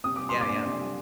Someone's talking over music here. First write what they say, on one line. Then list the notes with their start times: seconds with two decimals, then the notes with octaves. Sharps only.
Yeah, yeah.
0.04 C3 D#6
0.16 G3 D6
0.29 C6
0.34 A#3
0.41 D6
0.49 D4
0.65 C3
0.81 G3